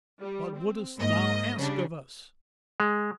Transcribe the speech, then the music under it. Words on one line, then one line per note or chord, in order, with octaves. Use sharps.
'What wouldst thou ask of us?
G3
C4
G#2 A#3 D#5
C#3 G3 D4
G#3